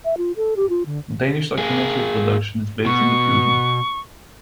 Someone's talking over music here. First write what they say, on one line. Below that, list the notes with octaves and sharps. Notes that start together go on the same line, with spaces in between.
Danish Documentary Production is based in the building.
E5
F4
A4
G4
F4
D3
A#3 G#4
B2 C#6